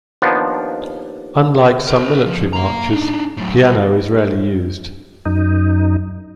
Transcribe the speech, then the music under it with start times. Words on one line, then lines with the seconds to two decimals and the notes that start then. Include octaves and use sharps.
Unlike some military marches, piano is rarely used.
0.22 D#2 F3 B3 D4 D#4
1.87 A#4 C5
2.26 F3
2.53 A#3 A#5
2.90 D4 D#4
3.37 A2 F#3
3.56 C2
5.26 F#2 D#4